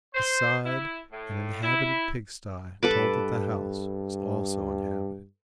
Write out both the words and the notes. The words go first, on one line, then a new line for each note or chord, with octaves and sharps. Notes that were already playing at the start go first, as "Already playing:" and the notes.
At the side an inhabited pig-sty told that the house was also inhabited.
C5
E4
A2
E4
G2 A4 B4 D6